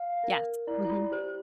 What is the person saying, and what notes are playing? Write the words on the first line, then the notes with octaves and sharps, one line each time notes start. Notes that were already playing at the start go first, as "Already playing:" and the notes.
Yes. Mhm.
Already playing: F5
A#4
E4 D5
E4
F4
G4 C5